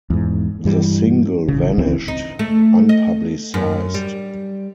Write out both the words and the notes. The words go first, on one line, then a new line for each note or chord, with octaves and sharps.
The single vanished, unpublicised.
E2 G#2
G2 E3 G3
A1 C#3
C#2 C#3 E3 C4
D#4
A3
D#5
F#2
G3